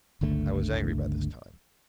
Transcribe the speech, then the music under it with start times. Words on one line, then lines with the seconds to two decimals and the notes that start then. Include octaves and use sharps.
I was angry by this time.
0.21 G1 C#2 D3 A3